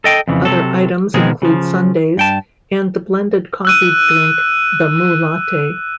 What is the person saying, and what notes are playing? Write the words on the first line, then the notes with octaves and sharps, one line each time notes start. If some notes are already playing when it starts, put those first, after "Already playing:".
Other items include sundaes and the blended coffee drink, the MooLatte.
A4 D#5 G5
F2 C#3 E3
C3 F#3 A4
B2 D#3 F3 G#3 C4 G#4
C#3 F3
G2 G5 A5
E6 F#6 D#7